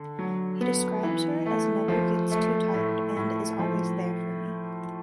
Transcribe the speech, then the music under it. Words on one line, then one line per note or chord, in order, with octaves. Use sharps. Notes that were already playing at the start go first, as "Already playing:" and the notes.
He describes her as "never gets too tired" and "is always there for me".
Already playing: D3
F#3
B3
E3
A3
F3
A3
A2
A2
F3